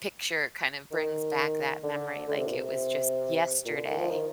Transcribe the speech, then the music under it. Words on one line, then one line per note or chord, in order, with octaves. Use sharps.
picture, kind of brings back that memory like it was just yesterday.
D#3
D3
D3
C3
A#2
C3
A#2
D3
D#3
F3
D#3